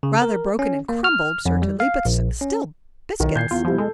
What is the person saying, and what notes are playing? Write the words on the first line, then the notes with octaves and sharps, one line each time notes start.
Rather broken and crumbled, certainly, but still biscuits.
C#3
A#4
C#4
A#3
F6
F2
G3
F5
A#1
C#4
B1 D#3
A#2 G6 G#6 C7
E2 F4
B2 F3 G3 E4
G#3 A4